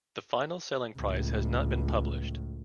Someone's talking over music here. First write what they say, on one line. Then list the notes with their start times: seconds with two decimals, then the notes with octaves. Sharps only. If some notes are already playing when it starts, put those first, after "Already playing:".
The final selling price has not been published.
0.98 C#2 A2